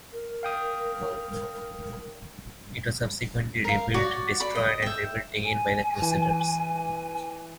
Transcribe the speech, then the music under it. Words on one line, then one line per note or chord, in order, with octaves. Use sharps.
It was subsequently rebuilt, destroyed, and rebuilt again by the Crusaders.
A#4
F5 G5 D#6
A#4 F5
F#4 C#5 D5
D5 B5
D#5
E5 G5
G#5
E3